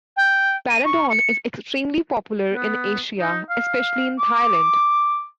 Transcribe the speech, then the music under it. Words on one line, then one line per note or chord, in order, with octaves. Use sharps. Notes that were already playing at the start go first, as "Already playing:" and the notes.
Paradorn is extremely popular in Asia, especially in Thailand.
G5
D#7
C#6
C#7
B3
D#4
F5
D6